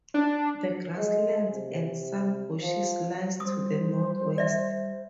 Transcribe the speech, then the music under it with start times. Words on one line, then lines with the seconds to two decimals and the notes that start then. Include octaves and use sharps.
The grasslands and some bushes lies to the northwest.
0.14 D4
0.97 G#3
1.51 C3
2.61 F3
3.40 G3 C5 D#6
4.38 D5 E5